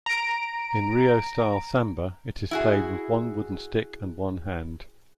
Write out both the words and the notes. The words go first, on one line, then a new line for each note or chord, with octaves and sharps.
In Rio-style samba it is played with one wooden stick and one hand.
A#5 D7
E4 F#4 G#4